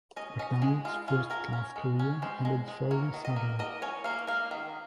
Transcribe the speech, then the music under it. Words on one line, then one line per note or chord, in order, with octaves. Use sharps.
McDonald's first-class career ended fairly suddenly.
C#4 D#5
C#4 D#5
G#3 G#4
G#3 F4
C#4 F4
C#4 A#4
C#4
G#3
C#4
G#3 C5
G#3
G#3
A#3 C#5
D#3
D#5
A#3
A#3 D#5
C#4 C#5
A#3 F5
A#3 F5
D#3